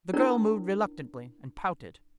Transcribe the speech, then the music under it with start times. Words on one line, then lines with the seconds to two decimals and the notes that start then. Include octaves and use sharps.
The girl moved reluctantly, and pouted.
0.14 C#4 D4 E4 A#4 C#5